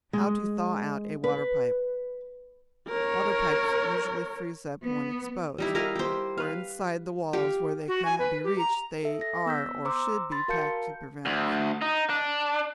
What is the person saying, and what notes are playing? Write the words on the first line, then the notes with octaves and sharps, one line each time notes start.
How to Thaw Out a Water Pipe.--Water pipes usually freeze up when exposed, for inside the walls, where they cannot be reached, they are or should be packed to prevent freezing.
G#3
B4
A#4 C#5
B3
G3 D#4 E4
E4 A#4 D#5 F5
G4 C5
B4 F5
G4 F5 C#6
F#4
G#5
B4
G4
A#5
A4 E5
A#6
B3 E6 G6 B6
C5 A#5 C6 D6 E6
B5 C6 A6
F#4 A#4 F5 A5 G6 C#7
D2
D#4
D4